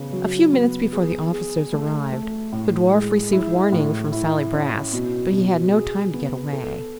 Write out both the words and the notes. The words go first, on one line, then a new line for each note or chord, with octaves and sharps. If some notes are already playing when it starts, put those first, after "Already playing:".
A few minutes before the officers arrived the dwarf received warning from Sally Brass, but he had no time to get away.
Already playing: C#3 B3
F#3
B3
G#4
G#4
A3
A3
A2
G#3
E4
A2
E4
C#4
B2
B2
G#4
B3
A4